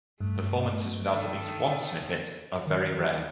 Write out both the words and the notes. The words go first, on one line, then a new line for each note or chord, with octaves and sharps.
Performances without at least one snippet are very rare.
G2 A3
D#3 A4
D#3